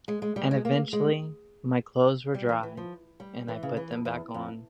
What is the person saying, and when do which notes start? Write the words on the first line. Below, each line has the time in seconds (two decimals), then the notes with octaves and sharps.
And eventually my clothes were dry, and I put them back on.
0.08 G#3
0.22 G#3
0.36 G3
0.51 G#3
0.65 A#3
0.93 G#3
2.34 G3
2.49 E3
2.63 E3
2.77 F3
3.20 G3
3.48 E3
3.63 C#3
3.77 E3
3.91 F2
4.05 E2
4.34 F2